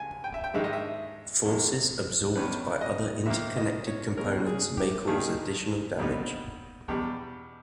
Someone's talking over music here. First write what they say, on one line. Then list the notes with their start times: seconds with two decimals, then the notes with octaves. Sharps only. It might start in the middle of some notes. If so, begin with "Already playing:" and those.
Forces absorbed by other interconnected components may cause additional damage.
Already playing: C#2 G#5
0.24 G5
0.34 E5
0.44 G5
0.54 G#2 D#3 G#3 E5
0.64 D#5
0.73 E5
1.45 E2 B2 G#3
2.36 E2 D#3 G3 C#4 B4
2.81 D#5
3.26 G#2 D#3 A#3 E5
3.57 D#5
3.87 C#5
4.17 B2 G#3 C#4 A#4
4.47 G#4
4.77 G4
5.07 G2 D#3 A#3 D#4 G#4
5.99 A#2 G3 B3 D#4
6.88 E2 B2 G3 G4